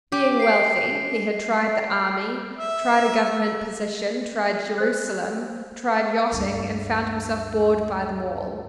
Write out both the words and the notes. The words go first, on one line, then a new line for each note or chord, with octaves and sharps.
Being wealthy, he had tried the army, tried a Government position, tried Jerusalem, tried yachting and found himself bored by them all.
G4
C7 D7
E5
C5 F#6
D2 G2